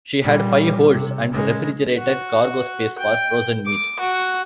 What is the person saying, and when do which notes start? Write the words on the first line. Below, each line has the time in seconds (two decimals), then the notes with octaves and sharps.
She had five holds and refrigerated cargo space for frozen meat.
0.21 A#2 G3
0.91 C3
1.32 C#3 G#3
1.99 F#4
2.99 G5
3.66 D6
4.00 F#4